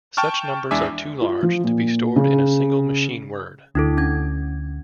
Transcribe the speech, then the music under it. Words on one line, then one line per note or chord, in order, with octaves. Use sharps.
Such numbers are too large to be stored in a single machine word.
G5 A5 C#6 F6
E2 G#3 D4 E5 G#5 D6
F4
F3
A#2
C#3
D2 D4 E4 A4
C#4 G#6